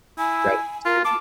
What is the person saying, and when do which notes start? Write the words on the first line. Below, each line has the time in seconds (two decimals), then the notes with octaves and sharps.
right, tea
0.18 E4 G#5
0.85 F4 A#4
1.05 A5 D6